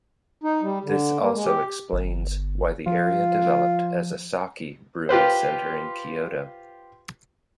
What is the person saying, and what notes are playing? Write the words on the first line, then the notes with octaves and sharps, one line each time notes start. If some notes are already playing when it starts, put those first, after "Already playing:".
This also explains why the area developed as a sake-brewing center in Kyoto.
D#4
G3
D3
A#3
G#3
G4
G1
F3 F4
F4 G4 B4 C5